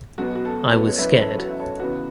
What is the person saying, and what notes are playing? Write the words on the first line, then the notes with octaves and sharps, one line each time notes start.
I was scared.
B1 B2 B3 F#4
F#4
A4
A4
F#4 B4
C#5
F#1 F#2 E3 B3 B4 E5
A4 C#5
F#4 B4
E5
A4 C#5
C#2 C#3 E3 B3 F#4 B4